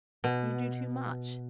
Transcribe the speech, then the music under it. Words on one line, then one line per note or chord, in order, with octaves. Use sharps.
You do too much.'
B2